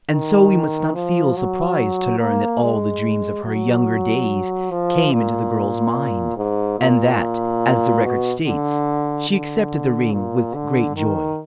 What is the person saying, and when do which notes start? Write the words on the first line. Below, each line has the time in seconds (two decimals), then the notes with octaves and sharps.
And so we must not feel surprised to learn that all the dreams of her younger days came into the girl's mind, and that, as the record states, "she accepted the ring with great joy."
0.11 D#3
0.94 F3
1.36 F#3
2.20 A#3
2.62 G#3
3.45 F#3
4.70 F3
5.13 A#2
6.37 G#2
6.79 A#2
8.04 B2
8.46 D3
9.29 D3
10.13 A#2
10.54 D3
10.96 D#3